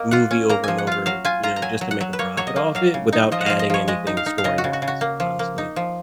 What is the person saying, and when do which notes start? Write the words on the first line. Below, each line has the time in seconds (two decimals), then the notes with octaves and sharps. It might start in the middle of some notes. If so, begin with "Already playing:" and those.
movie over and over, you know, just to make a profit off it without adding anything story-wise, honestly.
Already playing: A#3 D#5
0.11 F4 F#5
0.31 C#4
0.49 A#3 A#5
0.64 F3 G#5
0.78 F#5
0.87 F4 F5
1.06 F#3 F5
1.25 F4 G#5
1.43 F4 A#5
1.56 A#5
1.62 F#3 G#5
1.81 F#3
1.91 F#5
2.01 F#3
2.13 B4
2.19 A#3 C#5
2.37 F#3 C#5
2.47 D#5
2.56 A#3
2.75 F#3 F5
2.94 C#3
3.13 D#4
3.32 F3 D#5
3.41 F#5
3.46 F3 F5
3.59 D#5
3.70 F3 C#5
3.88 G#3 D#5
4.07 D#4
4.17 F5
4.26 D#4
4.38 F5
4.44 C#3 D#5
4.58 F#4
4.64 C#3
4.73 F#4
4.82 C#3
4.88 F#4
5.01 A#3
5.20 F3
5.39 A#3
5.58 D#4
5.76 F3